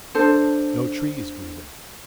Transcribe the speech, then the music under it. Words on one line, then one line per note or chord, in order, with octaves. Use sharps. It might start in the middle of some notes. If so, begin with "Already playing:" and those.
No trees grew there.
D4 A4 C5